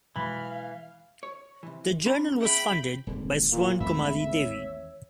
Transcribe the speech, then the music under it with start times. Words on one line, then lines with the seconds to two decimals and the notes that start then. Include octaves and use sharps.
The journal was funded by Swarnakumari Devi.
0.16 B2 E3 F#3 G#3 F5 B5
1.23 C#5
1.63 C3 E3
2.06 C#4 A#5 B5
2.40 B3 G#4 E5 G5 B5
3.07 D#1 G#1 D3
3.52 A#2 F5
3.80 G#1 D#2 E3 A3 E5 B5
4.31 C#5